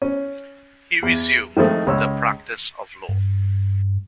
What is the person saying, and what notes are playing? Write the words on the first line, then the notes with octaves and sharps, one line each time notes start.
He resumed the practice of law.
C#4
E2
D#3 F3 G#3 A3 C4
C#2 C#5 E6
G2